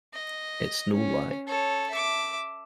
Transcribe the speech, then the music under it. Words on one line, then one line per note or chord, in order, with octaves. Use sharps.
It's no lie.
D#5
C#4
A4 C#5
E5 D6